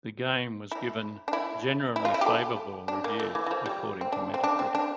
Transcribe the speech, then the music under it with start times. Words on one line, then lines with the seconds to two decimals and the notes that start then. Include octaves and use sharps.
The game was given "generally favorable" reviews according to Metacritic.
0.72 E4
1.28 D4
1.33 E4
1.96 E4
2.05 F4
2.14 E4
2.21 G4
2.26 A4
2.88 D4
3.04 A#3
3.20 A3
3.35 E3
3.46 E3
3.51 F3
3.66 G3
4.01 C4
4.12 D4
4.34 C4
4.44 D4
4.59 C4
4.75 D4